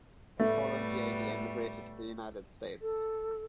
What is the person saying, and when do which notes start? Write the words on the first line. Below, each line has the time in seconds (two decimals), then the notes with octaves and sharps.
The following year he emigrated to the United States.
0.40 A2 G3 A3 B3
2.81 A4